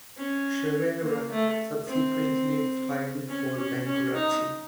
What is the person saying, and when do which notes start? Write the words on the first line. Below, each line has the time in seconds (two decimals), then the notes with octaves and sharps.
Ceverha subsequently filed for bankruptcy.
0.17 C#4
1.02 A#3
1.30 A3
1.87 C4
3.29 C#4
3.58 C#4
3.86 C#4
4.14 D#4